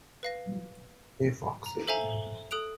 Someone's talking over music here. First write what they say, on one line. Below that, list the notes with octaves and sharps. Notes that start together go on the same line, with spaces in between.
Hey Foxy!
B4 F5 A#6
A#5
A4 C5 E5 F5 G#5 A#5
A4 D#6 F#6 D7 F7